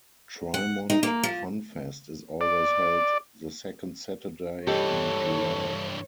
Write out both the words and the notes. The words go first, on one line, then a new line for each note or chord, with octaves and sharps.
Trimont FunFest is always held the second Saturday in July.
F#5
D#4
A#3
F3
D5
G2 E3 G4 A4 C#5 D#5